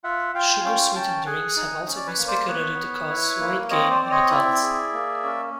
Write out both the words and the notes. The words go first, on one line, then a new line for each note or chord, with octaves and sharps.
Sugar-sweetened drinks have also been speculated to cause weight gain in adults.
F4 E5 F#5
F4 F5 G5
G#5
C#4 F5 G5
C#4 G5 A5
G#4 F#5 G#5
D#4
C#4
D5
B4 C#5
A#3
C5 D5
B3 B4 C#5
B3
E4
A#3
C4 C#5 D#5
C5 D5
C4 D5
C#5 D#5
E4 D5 E5
G#4
A#3
C#4